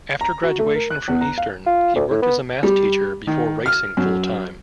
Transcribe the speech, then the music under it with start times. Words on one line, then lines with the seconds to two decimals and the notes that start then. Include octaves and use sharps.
After graduation from Eastern, he worked as a math teacher before racing full-time.
0.21 A#5
0.43 F#4
0.59 A3
0.75 A#4
0.90 F#6
1.08 E2
1.21 A#5
1.38 F5
1.66 F4
1.96 D2
2.10 A2
2.22 B3
2.63 G3
3.27 D#3
3.66 F6
3.97 F#2